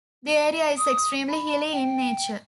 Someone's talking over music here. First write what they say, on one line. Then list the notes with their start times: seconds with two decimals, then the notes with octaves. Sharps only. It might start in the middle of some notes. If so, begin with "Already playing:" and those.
The area is extremely hilly in nature.
0.77 D#6
1.28 B5
1.72 G5